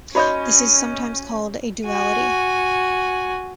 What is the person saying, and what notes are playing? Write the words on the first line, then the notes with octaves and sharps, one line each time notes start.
This is sometimes called a duality.
C#4 F#4 C#5 D#5 B5 G6
F#4 G#5